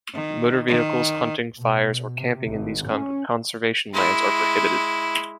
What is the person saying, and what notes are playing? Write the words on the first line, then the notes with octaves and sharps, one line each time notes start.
Motor vehicles, hunting, fires, or camping in these conservation lands are prohibited.
D#3
D#3
B2
C3
G#1
C#4
G#3 E4